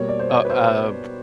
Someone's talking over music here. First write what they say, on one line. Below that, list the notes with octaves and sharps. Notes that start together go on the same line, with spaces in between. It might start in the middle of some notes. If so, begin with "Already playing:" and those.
Oh, uh,
Already playing: B2 G3 A#3 C#5
D5
C5
C#5
B4
C5